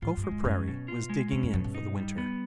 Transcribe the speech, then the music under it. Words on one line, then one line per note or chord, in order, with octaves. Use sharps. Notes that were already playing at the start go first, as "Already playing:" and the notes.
GOPHER PRAIRIE was digging in for the winter.
G#2 F4
G2
G#3
F#2
F#2 C#4
B2
F4
G#3
E2 C#4
F2
F#2 B2
G2
D#4
G3
B3